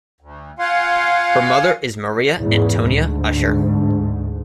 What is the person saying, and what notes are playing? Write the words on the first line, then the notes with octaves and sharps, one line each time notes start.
Her mother is Maria Antonia Ussher.
D2
F4 F5 F#5 G#5 C6
E2 G#2 C#3
D2 G#2